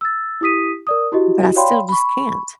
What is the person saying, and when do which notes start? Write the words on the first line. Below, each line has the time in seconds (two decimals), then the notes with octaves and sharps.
but I still just can't.
0.01 E6 A6
0.41 E4 G4 D#6 B6 D#7
0.87 A#4 D5 D#6
1.12 E4 F#4 G4 D#5
1.56 C#5 D5 F5 G5 B5 C6
1.89 B5 C#6